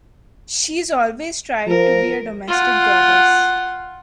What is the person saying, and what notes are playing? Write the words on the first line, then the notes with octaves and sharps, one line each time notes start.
She's always tried to be a domestic goddess.
F3 A#4
F4 F#5